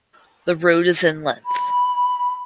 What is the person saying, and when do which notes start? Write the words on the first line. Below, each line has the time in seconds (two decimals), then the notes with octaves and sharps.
The road is in length.
1.45 B5